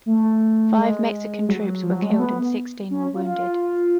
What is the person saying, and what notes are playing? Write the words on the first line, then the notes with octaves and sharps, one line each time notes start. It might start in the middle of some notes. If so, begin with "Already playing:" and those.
Five Mexican troops were killed and sixteen were wounded.
A3
G#3
F#3
F3
F#3
G#3
A3
B3
C#4
F4
F4